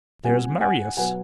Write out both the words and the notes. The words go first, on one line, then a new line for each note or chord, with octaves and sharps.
"There's Marius."
B2 G3 C4 F4 F#5 G#5
F#5 G#5
B2 F#3 B3 F#5 G#5